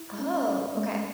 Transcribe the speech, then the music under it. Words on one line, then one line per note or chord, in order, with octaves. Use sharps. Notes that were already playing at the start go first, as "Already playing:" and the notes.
Oh, okay.
Already playing: E4
C#4
C#4
G#3